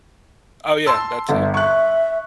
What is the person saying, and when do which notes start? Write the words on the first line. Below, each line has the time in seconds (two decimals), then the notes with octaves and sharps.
Oh yeah, that too.
0.86 A5 C6 E6
1.29 G1 E5
1.54 E5 C#6 F#6